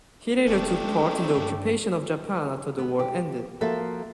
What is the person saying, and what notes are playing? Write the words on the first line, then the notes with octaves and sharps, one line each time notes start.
He later took part in the occupation of Japan after the war ended.
E1 A3 C#4 D4 G4
G#3
C4
G2
B3
G4
F3 A#3 F#4 A4 E5